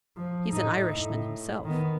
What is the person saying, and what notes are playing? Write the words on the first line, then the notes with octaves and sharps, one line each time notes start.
"He's an Irishman himself."
F3
A2 D#4
A2
D#3 B3